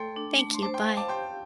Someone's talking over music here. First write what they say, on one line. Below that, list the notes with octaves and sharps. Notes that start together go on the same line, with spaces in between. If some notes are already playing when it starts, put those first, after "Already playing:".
thank you. Bye.
Already playing: A3 A4 G5 C6
D4
A3
C6
C5 A5 D6
G5 C6
F5
A5 D6
G4 G5 C6